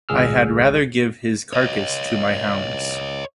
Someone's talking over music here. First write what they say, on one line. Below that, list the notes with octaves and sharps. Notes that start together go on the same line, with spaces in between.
I had rather give his carcass to my hounds.
G#1 C#2 G#4 E6 F6
C#5 D#5